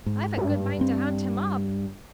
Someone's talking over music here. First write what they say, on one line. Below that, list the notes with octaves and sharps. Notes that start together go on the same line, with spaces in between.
"I've a good mind to hunt him up."
G#2
G2
C4